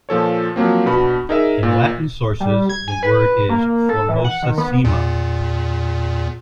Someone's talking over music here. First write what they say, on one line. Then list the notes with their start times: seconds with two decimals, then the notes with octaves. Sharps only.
In Latin sources, the word is "formosissima".
0.09 A#2 F3 A4 C#5
0.56 F3 F#3 A#3 C4
0.86 B2 D4 F#4 B5
1.29 D#4 G#4 A#4 D#5 E5
1.63 A#2
2.40 G3
2.69 G#6
2.88 G#5
3.03 B4
3.49 A#3
3.89 A4
4.09 E3
4.24 F#5
4.43 D#3
4.58 B3
4.84 E2 A#2